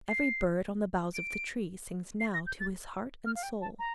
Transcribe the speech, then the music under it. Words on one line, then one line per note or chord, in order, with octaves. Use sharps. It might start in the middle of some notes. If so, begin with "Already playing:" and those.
Every bird on the boughs of the tree sings now to his heart and soul.
C7
D7
C7
A#6
G6
A6
F6
F5
G5
A5
A#5